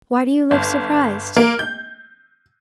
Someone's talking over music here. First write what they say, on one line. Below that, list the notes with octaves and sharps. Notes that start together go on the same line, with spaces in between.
Why do you look surprised?
G1
A#3
G6